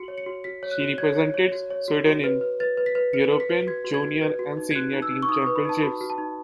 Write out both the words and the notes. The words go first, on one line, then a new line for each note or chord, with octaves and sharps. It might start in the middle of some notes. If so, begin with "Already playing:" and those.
She represented Sweden in European Junior and Senior Team championships.
Already playing: F#4 C#7
C#5
C#7
F#4
F#4 B6
C#5
F#6
F#4
C#5 G#6
C#5
C#5
F#4
C#5
F#4
F#4
B4
B4
B4 A6
B4
B6
B4
B4 C#7
B4
B6
B4
F#4 G#6
F#4
G#6
F#4
B4
F#4
D#4
G#6
F#4 F#6
D#4
E6
D#4
C#6
D#4 D#6
C#6
B4
B5
D#4 A5
F#4 B5
F#4
A5
D#4